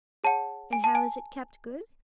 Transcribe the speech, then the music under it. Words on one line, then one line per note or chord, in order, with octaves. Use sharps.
And how is it kept good?
G#4 C#5 F#5 A5
G#5
A5
G#5